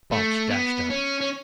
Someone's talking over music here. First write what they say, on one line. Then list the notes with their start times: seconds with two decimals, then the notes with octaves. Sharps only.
Balch dashed up.
0.12 A3
0.50 B3
0.90 C#4
1.21 C#4